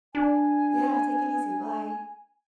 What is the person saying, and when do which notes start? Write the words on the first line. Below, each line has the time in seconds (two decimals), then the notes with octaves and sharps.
Yeah, take it easy, bye.
0.15 D4 G#5